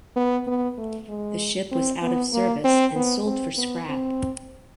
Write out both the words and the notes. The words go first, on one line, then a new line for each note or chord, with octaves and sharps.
The ship was out of service and sold for scrap.
B3
B3
A3
G#3
C4
B3
A#3
C4
B3
C4
B3
C4